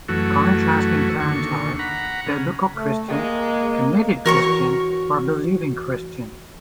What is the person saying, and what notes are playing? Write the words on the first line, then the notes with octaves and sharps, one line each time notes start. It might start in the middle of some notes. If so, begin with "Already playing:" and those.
Contrasting terms are "biblical Christian", "committed Christian", or "believing Christian".
F#2 E3 A3 F#4
D#2 D3 C#6
F#5 A#5 B5
C#3
A3
G#3 A#3
E3 F#4 A#4 C#5 C#6